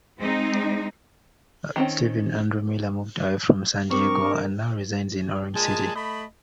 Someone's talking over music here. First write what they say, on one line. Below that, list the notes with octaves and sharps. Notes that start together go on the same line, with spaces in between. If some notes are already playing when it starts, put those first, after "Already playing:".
Steven Andrew Miller moved away from San Diego and now resides in Orange County.
G#3 C4 D#4
D#3 C4 C#4
G3 C4 D4 A#4 C#6 D6
A#2 G#3 D#5 G#5 A5
A3 D#5 B5